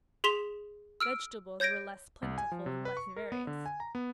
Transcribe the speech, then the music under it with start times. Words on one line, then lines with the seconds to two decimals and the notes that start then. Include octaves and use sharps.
Vegetables were less plentiful and less various.
0.24 G#4 C6 B6 E7 F7
1.00 E6 F6 D7
1.60 C#5 G6 G#6 A#6 D7
2.22 C2
2.38 G#5
2.52 F3
2.66 C3
2.85 B4
2.97 C#6
3.16 A#4
3.32 B3
3.47 D3
3.66 G#5
3.80 A#5
3.95 B3